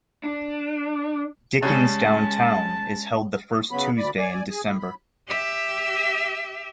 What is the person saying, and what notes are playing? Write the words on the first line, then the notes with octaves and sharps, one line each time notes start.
Dickens Downtown is held the first Tuesday in December.
D4
C#3 G3 G#3 C#4 A5
C#3 F#3 B3 B5
D2 D5 B5
D5 G#5
G#4 G#5
A2
B5
G4 E5